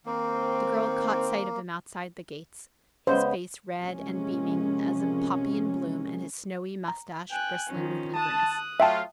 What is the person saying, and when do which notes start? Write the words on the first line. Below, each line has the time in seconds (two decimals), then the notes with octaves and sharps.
The girl caught sight of him outside the gates, his face red and beaming as a poppy in bloom and his snowy moustache bristling with eagerness.
0.06 D#3 A#3 C4
3.07 C#3 G#3 B3 C5
3.81 C3 F3 G#3 A#3 C#4
6.88 A#5
7.30 G5 G#5 F#6
7.69 D#3 F3 C#4
8.14 A5 D#6 F#6
8.80 F#3 A3 F4 E5 G5 A5